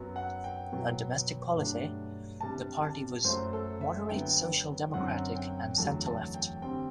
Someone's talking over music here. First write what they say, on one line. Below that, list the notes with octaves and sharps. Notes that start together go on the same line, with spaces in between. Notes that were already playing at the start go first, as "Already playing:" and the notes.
On domestic policy, the party was moderate social-democratic and centre-left.
Already playing: F#2 F#3 B3
F#5
G5
B2 F#3 B3
G2 F#3 A3 D4
C3 G3 D4 A5
A5
F#2 F#3 A3 C5
A4
E5
D3 F#3 B3 G5
F#2 D3 F#3 C4 F#5
G5
E2 D3 F#3 A3 A5
A5
G5
D3 G3 C4 G5